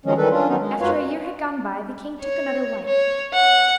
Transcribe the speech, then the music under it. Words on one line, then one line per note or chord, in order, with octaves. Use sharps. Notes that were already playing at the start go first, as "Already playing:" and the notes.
After a year had gone by, the king took another wife.
D#3 F3 F#3 G#3 C#4
D#3 E3 G3 A4 B4
C#4 D4 F4
D#3 F#3 B3 C#4 D#4
G#3
F#2 F#3 F4 B4 C#5 F5
C#5
C#5
F#5